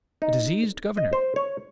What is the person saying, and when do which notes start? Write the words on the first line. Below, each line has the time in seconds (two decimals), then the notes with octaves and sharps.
A diseased governor?
0.22 D#4
0.97 D#5
1.13 C5
1.36 C#5